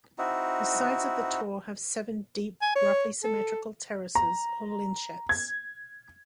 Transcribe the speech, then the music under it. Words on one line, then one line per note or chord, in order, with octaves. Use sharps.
The sides of the Tor have seven deep, roughly symmetrical terraces, or lynchets.
C4 D#4 E4 F#4
G#5
C#5
A4
A#5
G#6